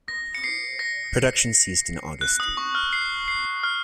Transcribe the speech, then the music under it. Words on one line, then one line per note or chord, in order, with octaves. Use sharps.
Production ceased in August.
A#6
C#7
C7
A#6
F#6
D#6
C#6
F6
C7
C7
F6